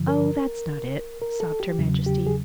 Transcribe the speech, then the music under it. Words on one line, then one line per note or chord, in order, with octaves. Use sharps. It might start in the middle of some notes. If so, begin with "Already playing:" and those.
"Oh, that's not it!" sobbed her Majesty.
Already playing: G2 D3 F3
A#4
A#4
A4
G4
E2 C#3 F#3
G4
G#4